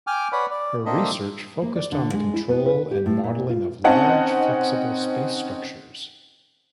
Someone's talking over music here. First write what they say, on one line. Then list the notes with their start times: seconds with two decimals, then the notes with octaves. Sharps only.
Her research focused on the control and modeling of large, flexible space structures.
0.07 G5 G#5 D6 F6
0.32 B4 C#5 D5 F#5 B5
0.51 D5
0.86 A#3 C4 D4 A4 D#5 E5
1.62 A#3
1.75 D5
1.92 D3
2.14 G#3
2.34 E4
2.49 B3
2.66 B4
2.91 G4
3.06 A2
3.24 A#2
3.49 F4
3.84 C4 C#4 D#4 F#5 A5